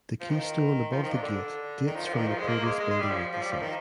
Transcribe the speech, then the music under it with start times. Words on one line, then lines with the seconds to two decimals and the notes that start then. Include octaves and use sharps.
The keystone above the gate dates from the previous building at the site.
0.20 F3
0.30 D#3
0.92 F3
1.03 D#3
1.12 D3
1.23 D3
1.86 D#3
1.96 F3
2.06 F3
2.14 D3
2.17 D#3
2.27 F3
2.38 G#3
2.48 A#3
2.64 G#3
2.80 G#3
2.90 G#3
3.00 G3
3.11 F3
3.33 F3
3.42 G3
3.52 F3
3.62 D#3